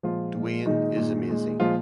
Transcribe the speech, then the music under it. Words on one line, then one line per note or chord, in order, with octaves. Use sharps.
Dwayne is amazing.
A#2 F3 G#3 F4
A#2 G#3
A#2 D#3 G#3 D#4
A#2 G#3
A#2 G#3
A#2 F3 G#3 F4